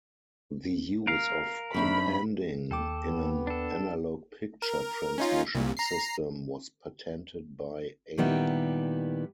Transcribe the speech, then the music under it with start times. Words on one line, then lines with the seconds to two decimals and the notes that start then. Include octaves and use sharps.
The use of companding in an analog picture transmission system was patented by A.
1.07 A#4 F5
1.74 F#2 C4 D4 B5
2.71 D#2 A4 G5 D6
3.06 B3
3.47 D4 A4
4.62 A#4
5.18 C#4 D#4 F4
5.55 C2 A#2
5.77 A#5 C7
8.18 A#2 D#3 G3 B3 E4